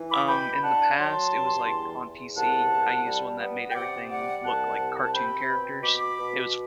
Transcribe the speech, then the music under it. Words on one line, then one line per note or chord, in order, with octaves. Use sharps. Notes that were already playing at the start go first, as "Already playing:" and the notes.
um, in the past, it was, like, on PC. I used one that made everything look like cartoon characters. It was
Already playing: E3
B5 D6
B2 G5 B5
D4 F#5 A5
F#3 A5 C6
G2
E2
E2
C2 F#5 A5
C2
G3
B3
G5
C3 D5 F#5
G3 D5 F#5
C2 F#5 A5
C3
A5
C4 G5 B5
B2
B2 B5 D6
B2